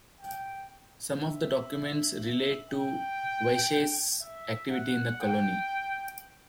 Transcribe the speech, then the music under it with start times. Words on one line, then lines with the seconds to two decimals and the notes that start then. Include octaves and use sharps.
Some of the documents relate to Wyche's activity in the colony.
0.21 G5
1.21 E5
2.21 E5
2.71 G5
4.21 E5
4.71 F#5
5.21 G5